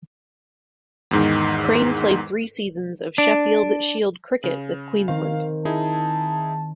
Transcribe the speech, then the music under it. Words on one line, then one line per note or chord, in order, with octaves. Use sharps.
Crane played three seasons of Sheffield Shield cricket with Queensland.
E2 G#2 D#3
D4
C#3
D#3 C4 F5
D#4 E4 G#4 A5